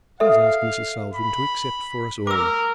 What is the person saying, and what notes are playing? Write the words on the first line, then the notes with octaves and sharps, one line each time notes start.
"Please ask Mrs. Salton to accept for us all."
A4 E5 F5
B5
A#4 D6 E6